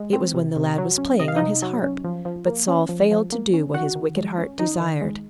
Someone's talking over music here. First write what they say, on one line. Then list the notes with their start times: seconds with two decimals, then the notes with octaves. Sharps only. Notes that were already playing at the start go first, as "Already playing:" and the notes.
It was when the lad was playing on his harp. But Saul failed to do what his wicked heart desired.
Already playing: G#3
0.13 C4
0.34 C3
0.56 C3
0.78 F#3
0.98 C#4
1.20 C3 D#5
1.28 F5
1.36 C3 D#4 D#5
1.62 F#3
1.83 C#4
2.04 F3
2.25 F3
2.47 A#3
2.68 C#4
2.89 F3
3.11 F3
3.32 A#3
3.54 C#4
3.74 D#3 F#4 F#5
3.96 D#3
4.16 G#3
4.38 C#4
4.59 D#3 D#4 D#5
4.80 D#3
5.01 G#3